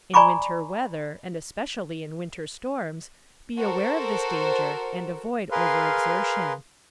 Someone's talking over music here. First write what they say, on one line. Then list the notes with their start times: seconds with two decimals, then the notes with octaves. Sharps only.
In winter weather, and especially in winter storms, be aware of this danger, and avoid overexertion.
0.14 D5 G#5 A#5 B5 C#6 D6
3.57 F#4 A4 A#4 C5
5.51 G#4 A#4 B4 F5 C6